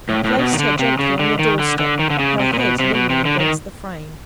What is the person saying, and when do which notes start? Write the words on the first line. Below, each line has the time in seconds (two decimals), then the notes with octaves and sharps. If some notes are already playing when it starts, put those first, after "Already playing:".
He placed her gently on the door-step, her head leaning against the frame.
0.09 A2
0.24 A2
0.39 B2
0.53 D#3
0.59 D3
0.79 C3
0.99 C#3
1.19 D3
1.39 D#3
1.59 D3
1.79 D3
1.99 D#3
2.10 D3
2.19 C#3
2.40 C3
2.53 A#2
2.59 B2
2.79 C3
2.94 B2
3.10 C3
3.25 D3
3.40 D#3